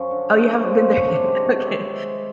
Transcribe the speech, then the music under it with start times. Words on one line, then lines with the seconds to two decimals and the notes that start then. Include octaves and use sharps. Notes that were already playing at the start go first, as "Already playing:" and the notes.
Oh, you haven't been there yet? Okay,
Already playing: F#2 F3 C#4
0.11 D3
0.30 F#2
0.50 F3 C#4
0.68 F#2 C4
0.88 D3 C#4
1.07 C3 D4
1.26 G#3 G4
1.45 C3 C#5
1.65 D#3 E5
1.84 C3
1.94 E5
2.04 G#3